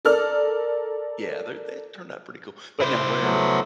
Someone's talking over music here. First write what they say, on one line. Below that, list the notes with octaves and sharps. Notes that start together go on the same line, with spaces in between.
Yeah, they're they had turned out pretty cool. But now where
A4 A#4 D5 F6
E4 C5
F#3 A3 B3